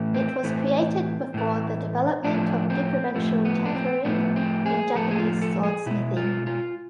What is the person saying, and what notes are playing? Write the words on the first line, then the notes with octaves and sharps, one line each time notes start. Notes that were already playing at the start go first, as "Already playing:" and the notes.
It was created before the development of differential tempering in Japanese swordsmithing.
Already playing: A2 E3 A3
C4
A2 E3 A3
A2 E3 A3
A2 F3 A3 D4
C4
A2 F3 A3
B3
D4
C4
A2 F3 A3 B3
C4
G#4
A2 F3 A3 A4
G#4
F4
A4
G#4
B2 G#3 E4
F4
F4